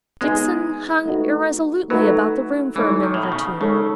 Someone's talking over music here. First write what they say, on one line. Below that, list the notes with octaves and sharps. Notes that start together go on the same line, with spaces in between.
Dixon hung irresolutely about the room for a minute or two.
G#3 B3 D#4 G#4
A3 D#4 F#4 B4
F#3 A3 D#4 F#4 B4
E3 G#3 D#4 A4 C#5
D#3
A2
B2
C#3
C#3 G#3 D#4 A4 C#5